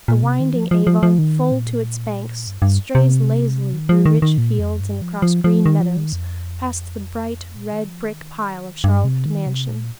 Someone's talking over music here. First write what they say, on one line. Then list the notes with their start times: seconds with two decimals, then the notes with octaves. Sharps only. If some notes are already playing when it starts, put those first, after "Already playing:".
The winding Avon, full to its banks, strays lazily through rich fields and across green meadows, past the bright red-brick pile of Charlcote Mansion.
0.08 A#2
0.23 C3
0.40 D#3
0.55 F3
0.71 F3
0.87 F3
1.03 F3
1.19 D#3
1.52 A#2
2.47 G2
2.62 G2
2.95 C3
3.74 D#3
3.89 F3
4.06 D#3
4.22 D#3
4.38 A#2
4.59 F2
4.80 G2
5.01 F3
5.22 F3
5.44 F3
5.66 D#3
5.80 F3
5.97 D#3
6.13 F2
7.56 A#2
7.72 D#3
7.88 F3
8.04 D#3
8.84 G2
9.04 C3
9.26 D#3
9.46 C3
9.69 A#2